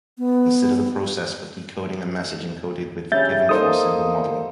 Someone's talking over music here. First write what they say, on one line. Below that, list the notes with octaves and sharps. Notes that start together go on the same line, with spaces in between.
Consider the process for decoding a message encoded with the given four-symbol model.
B3
C#3 G3 C#4 E5 G6 A6
A#3 D#4 A4 C5 D#6